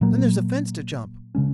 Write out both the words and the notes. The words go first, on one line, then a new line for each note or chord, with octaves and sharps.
Then there's a fence to jump.
A#2 F#3 A#3
C#3 G#3 C#4